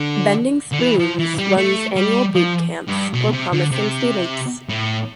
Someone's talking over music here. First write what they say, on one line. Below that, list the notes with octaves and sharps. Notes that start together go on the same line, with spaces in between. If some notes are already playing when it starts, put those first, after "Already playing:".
Bending Spoons runs annual bootcamps for promising students.
Already playing: D3
D3
E3
F3
E3
G3
A3
G3
F3
G2
B2
C3
D3
C3
A2